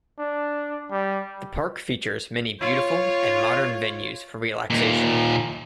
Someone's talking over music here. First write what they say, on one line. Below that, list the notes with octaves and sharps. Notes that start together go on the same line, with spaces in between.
The Park features many beautiful and modern venues for relaxation.
D4
G3
F4 C#5
D#2 A#2